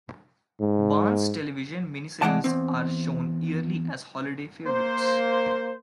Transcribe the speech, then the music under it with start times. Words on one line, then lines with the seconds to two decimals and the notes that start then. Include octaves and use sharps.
Barnes television miniseries are shown yearly as holiday favourites.
0.61 G#2
2.22 A2 E3 G#3 D5 F#5 A5
2.44 E2 C4
4.66 A#3 C5